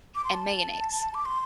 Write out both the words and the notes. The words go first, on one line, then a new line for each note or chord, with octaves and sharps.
and mayonnaise.
D6
C6
A5
D6
C6